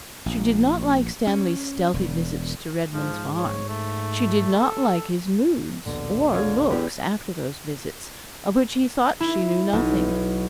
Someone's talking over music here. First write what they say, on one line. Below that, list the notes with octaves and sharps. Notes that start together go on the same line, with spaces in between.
She did not like Stanley's stealthy visits to Redman's Farm; she did not like his moods or looks after those visits, of which he thought she knew nothing.
A#1
C#4
E1
G#2 F3
C#5
A3
A4
A#1 D#2 B2 D3
D3 F4 C#5
E2 A2 G4
E4
B1